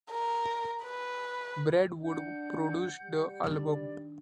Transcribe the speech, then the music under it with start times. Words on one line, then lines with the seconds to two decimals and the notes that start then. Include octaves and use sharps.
Brad Wood produced the album.
0.11 A#4
0.83 B4
2.03 D4 F#5 G6
3.04 G3
3.44 D#3 D4 D5